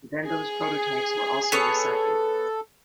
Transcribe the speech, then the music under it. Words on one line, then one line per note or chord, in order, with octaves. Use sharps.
Then those prototypes were also recycled.
G#4
B3 A4 C#5